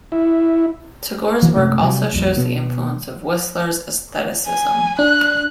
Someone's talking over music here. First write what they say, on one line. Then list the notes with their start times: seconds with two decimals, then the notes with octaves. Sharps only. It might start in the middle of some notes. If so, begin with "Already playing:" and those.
Tagore's work also shows the influence of Whistler's Aestheticism.
0.12 E4
1.42 E3 F#3
1.55 F#2 C3 G#3 A3
1.81 C3 F#3 G3
2.12 A#1 F2 G3
2.37 B2 B3
4.46 G#5
4.99 D4 F#6